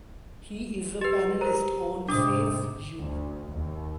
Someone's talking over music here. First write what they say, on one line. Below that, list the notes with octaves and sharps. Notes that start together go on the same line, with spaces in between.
He is a panelist on Says You!
G4 B4 A6
A#4 C5 A#5
G#2 C3 D4 D6 D#6
D2
D#2